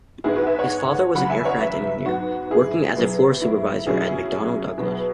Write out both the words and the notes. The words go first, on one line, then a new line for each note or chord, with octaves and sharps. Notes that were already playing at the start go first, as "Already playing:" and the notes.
His father was an aircraft engineer, working as a floor supervisor at McDonnell Douglas.
G#2 G#3 B3 E4 G#4
F#4 B4
B4 E5
C#5 F#5
E2 C#3 F#3 F#5 B5
E5 G#5
C#5 F#5
B4 E5
G#2 F#3 B3 F#4
E4 G#4
B2 F#3 B3
E4
B2 F#3 C#4 E4 G#4
B2 F#3 B3